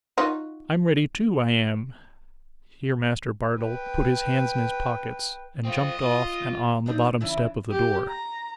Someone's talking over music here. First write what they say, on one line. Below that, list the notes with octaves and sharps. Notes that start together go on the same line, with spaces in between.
I'm ready too, I am.' Here Master Bardell put his hands in his pockets, and jumped off and on the bottom step of the door.
D#4 F4 F#4
B4 G5
C4 F4 D#5
F4
F#3 C4 D4 D#4
C#3 E3 C#4 D4 E4
G4
A#5